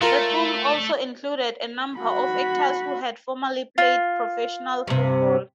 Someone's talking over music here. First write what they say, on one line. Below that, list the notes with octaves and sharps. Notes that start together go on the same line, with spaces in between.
The film also included a number of actors who had formerly played professional football.
A3 F4 A#4
F#4 B5
F4
G2 C3